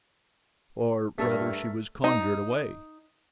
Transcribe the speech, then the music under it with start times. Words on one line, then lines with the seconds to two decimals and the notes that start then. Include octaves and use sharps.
Or rather she was conjured away.
1.18 G2 A3 A4 A#4
2.04 D#4